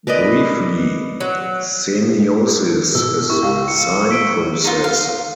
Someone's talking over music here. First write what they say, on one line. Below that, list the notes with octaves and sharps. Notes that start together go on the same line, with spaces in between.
Briefly - semiosis is sign process.
A#4 B4 D5 D#5
F#3
B2 E6
E4 G4 A#4 C#6
C#2 G4 F5
C#7
E6 B6 D7
D#4 F4
F5